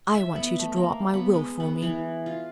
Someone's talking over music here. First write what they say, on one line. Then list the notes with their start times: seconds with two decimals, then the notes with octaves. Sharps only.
"I want you to draw up my will for me."
0.15 E5
0.36 B3
0.59 A3
0.76 A#3
1.14 B3
1.34 G#3
1.60 B3
1.82 E3
2.26 F4